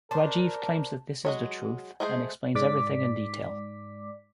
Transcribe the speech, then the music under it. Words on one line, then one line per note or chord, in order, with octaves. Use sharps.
Rajeev claims that this is the truth and explains everything in detail.
D4 A#4 C5 A5
F#3 G#3 C#5
G#3 A3 G#4 C5
G#2 D5 D6 B6